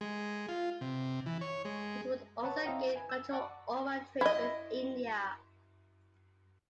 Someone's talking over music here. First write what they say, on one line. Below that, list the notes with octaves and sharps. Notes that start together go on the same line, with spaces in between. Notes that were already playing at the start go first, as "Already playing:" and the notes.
It would also gain control over trade with India.
G#3
F4
C3
E3
C#5
G#3
B4 C#5 F#5 A5 C#6
C4 E4 D#5 F5 G5 A#5
B4 G#5
E6
D5 F#5 A5 C#6
E4 D#5